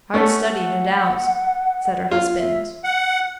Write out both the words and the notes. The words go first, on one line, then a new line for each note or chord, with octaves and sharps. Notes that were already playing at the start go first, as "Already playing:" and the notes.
"Hard study, no doubt," said her husband.
A3 C#4 A4 F#5
F4
E5
F#5